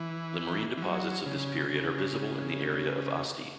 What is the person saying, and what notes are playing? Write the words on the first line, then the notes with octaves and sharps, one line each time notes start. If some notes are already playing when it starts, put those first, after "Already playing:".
The marine deposits of this period are visible in the area of Asti.
Already playing: E3
E3
F#3
C#3
C#3